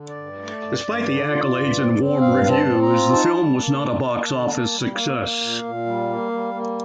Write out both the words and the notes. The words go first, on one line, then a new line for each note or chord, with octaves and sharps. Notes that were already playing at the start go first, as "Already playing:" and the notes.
Despite the accolades and warm reviews, the film was not a box office success.
Already playing: D3
D5
G2
A3
G2
G2
D3
F4
G2
C4
C4
G2 F5
C4
A5
C4
A#5
F4
D#4 A5
G3
A#3
D3
A#3
D3
A#3
G3
A#3 F5
A#3
A#2
A#2
G3
A#3
G3
A#3